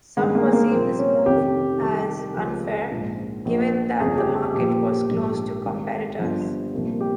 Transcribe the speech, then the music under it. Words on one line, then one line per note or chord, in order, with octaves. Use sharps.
Some perceived this move as unfair, given that the market was closed to competitors.
G1 G2 D#3 G#3
A#3
A#3
C2 A#2 F3 C4
C#4
F1 F2 C3 D#3 G4
C2 C3 D#3
C#2 C#3 F3
A#1 G#2 F3
A#1 A#2 F3
G1 F2 C#3 F3 G#4
G4
G#4
A#1 A#2 F3 G4
A#1 G#2 F3
G#1 G#2 D#3
G1 G2 F3
C2 A#2 F3
G4